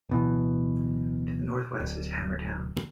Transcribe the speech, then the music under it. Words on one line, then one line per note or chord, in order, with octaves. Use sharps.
To the northwest is Hammertown.
D1 B2 E3
D1